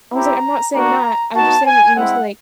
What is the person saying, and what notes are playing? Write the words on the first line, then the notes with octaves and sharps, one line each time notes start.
I was like, "I'm not saying that, I'm just saying that you need to like
C4 E4 G4 A#5
A#3 D4 F#4 A#5
B3 D#4 F#4 A5
G#5
G#3 C4 E4 F#5